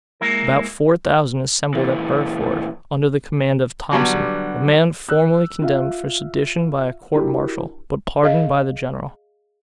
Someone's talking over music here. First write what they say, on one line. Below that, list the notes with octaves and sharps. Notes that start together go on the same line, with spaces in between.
About four thousand assembled at Burford, under the command of Thomson, a man formerly condemned for sedition by a court martial, but pardoned by the general.
G#3 A#3 E4 A#4
A#2 E3
D3 F#3 G3 B3
E6 F#6
F4 E5 F5
D4 E4 F#4 G4 A#4
G#4 D#5 F5